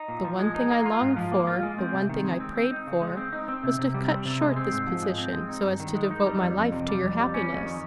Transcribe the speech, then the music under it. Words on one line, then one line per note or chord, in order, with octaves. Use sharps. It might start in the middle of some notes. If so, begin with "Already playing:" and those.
"The one thing I longed for, the one thing I prayed for, was to cut short this position, so as to devote my life to your happiness."
Already playing: D#4
A#2
F3
G#3
D#4
A#3
F4
G#2
F3
A#3
F4
G#3
C4
C3
D#3
G#3
C4
C4
D#4
C#3
G#3
C4
D#4
C4
C3
C3
G3
C4
C3
G#3
C4
G#2
F3
G#3
C4
G#3
D#4
G2
D#3
G#3
D#4
G3
F2
F2
C3
G3
F2
G3
C#4
F2
D#3